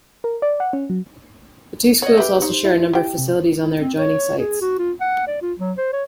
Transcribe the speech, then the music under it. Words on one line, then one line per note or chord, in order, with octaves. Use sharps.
The two schools also share a number of facilities on their adjoining sites.
A#4
D5
F#5
C#4
F#3
C#5 D#5 F#5
G4 B4 E5
D#4 C5
E4
G4 G5
C3
E4
C4
C#5
G#4
F#4
F4
F#5
D5
F4
F#3
C5
C#5